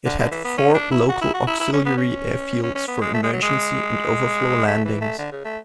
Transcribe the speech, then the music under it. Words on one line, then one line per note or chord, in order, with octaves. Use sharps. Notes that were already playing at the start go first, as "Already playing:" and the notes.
It had four local auxiliary airfields for emergency and overflow landings.
D3
D3
E3
B3
C#4
D4
E4
F#4
E4
F#4
E4
E4
C#4
B3
C#4
C#4
C#4
B3
G#3
A3
G#3
F#3
G#3
A3
E3
A3
D3
C#3
A3